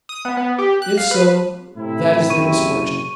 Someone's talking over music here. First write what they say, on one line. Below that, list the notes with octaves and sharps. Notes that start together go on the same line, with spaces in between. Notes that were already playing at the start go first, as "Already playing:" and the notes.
If so, that is their misfortune.
D#6
B3
B3
G4
F#6
F5
B4
A2 C3 E4
F#1 C#6 D#7